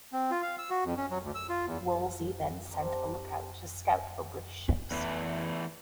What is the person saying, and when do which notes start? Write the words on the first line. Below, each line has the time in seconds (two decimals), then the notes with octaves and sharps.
Woolsey then sent a lookout to scout for British ships.
0.13 C4
0.31 F4
0.42 F5
0.59 E6
0.70 F#4
0.84 F2
0.97 C#4
1.10 F#3
1.23 D2
1.35 E6
1.49 F4
1.66 E2
2.71 C4 D4 G4 A#4
4.91 E2 E3 A3